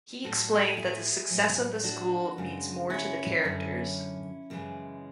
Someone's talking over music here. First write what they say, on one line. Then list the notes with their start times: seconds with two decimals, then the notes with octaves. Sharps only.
He explained that the success of the school means more to the characters.
0.24 A2 F#3 F#4 A4
0.77 E4 G#4
1.30 A2 F#3
1.83 D4 F#4
2.37 F#2 C#3 G#3
2.90 C#4 E4
3.43 F#2 D3 F#3
4.50 F#2 C#3 E3 G#3